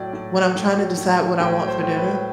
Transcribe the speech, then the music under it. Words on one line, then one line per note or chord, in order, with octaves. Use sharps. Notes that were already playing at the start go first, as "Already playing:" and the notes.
when I'm trying to decide what I want for dinner.
Already playing: A2 F#3 D5
A2
F#3
A2
F#3
A2
F#3
A2 G5
F#3
C5
A2
B4
F#3